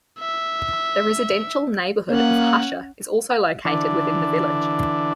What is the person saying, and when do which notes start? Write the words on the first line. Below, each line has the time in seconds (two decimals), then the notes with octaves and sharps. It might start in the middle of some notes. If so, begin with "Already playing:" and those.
The residential neighborhood of Husher is also located within the village.
0.19 E5
2.10 A#3 C#4 F#5
3.65 D3 E3 D4